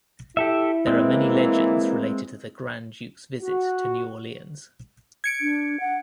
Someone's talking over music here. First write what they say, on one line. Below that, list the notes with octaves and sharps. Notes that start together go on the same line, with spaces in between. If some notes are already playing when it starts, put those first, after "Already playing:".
There are many legends related to the Grand Duke's visit to New Orleans.
E4 G4 A4 E5
E3 G#3 A#3 C4
F#4
G#6 C#7 D7
D4
F#5